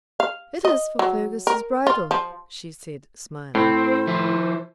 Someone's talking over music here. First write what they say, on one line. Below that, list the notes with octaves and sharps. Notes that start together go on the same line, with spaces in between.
'It is for Fergus's bridal,' she said, smiling.
F5
D#5
F#3
A#4
F4
F3
A2 C4 C5
F3 E4